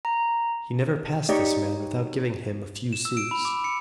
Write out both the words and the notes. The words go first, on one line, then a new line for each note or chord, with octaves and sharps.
He never passed this man without giving him a few sous.
A#5
D#4 G4 C#5 D5
E7
E6
D7
B5
D6
C#7